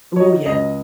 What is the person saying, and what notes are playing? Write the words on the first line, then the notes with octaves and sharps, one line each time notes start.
Ooh, yeah.
C#5
F#3 D#5
C#2 D#5